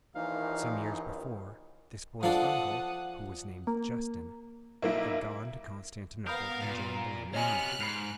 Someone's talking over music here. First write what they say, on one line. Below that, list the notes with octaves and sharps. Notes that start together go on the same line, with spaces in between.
Some years before, this boy's uncle, who was named Justin, had gone to Constantinople and joined the Roman army.
A#1 D#2 A#2 E3 D#4 F5
F3 D4 A4 F#5 D#6
A#3
B1 A#3 E4 E5
B3 A#4 F5 B5 D#6 G6
A#2
A#5
C3 B3 C#5 D#5 G#5 F6 F#6
G#2 B5 C7 F7